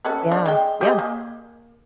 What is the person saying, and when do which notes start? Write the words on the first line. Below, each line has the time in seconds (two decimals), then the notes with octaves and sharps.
Yeah. Yeah.
0.05 C#4 A4 B4
0.32 D4
0.46 G#3 G5
0.81 G4 G#4 D#5
0.99 A#3